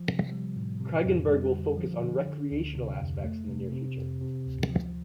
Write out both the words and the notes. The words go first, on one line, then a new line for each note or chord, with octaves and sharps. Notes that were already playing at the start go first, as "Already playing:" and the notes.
Kraggenburg will focus on recreational aspects in the near future.
Already playing: F3
C3
G3
A2
C3
F2
G3
D3
F3
D3
D3
D2
C3
F2
A3
C3
C3
F2
C3
D2
F3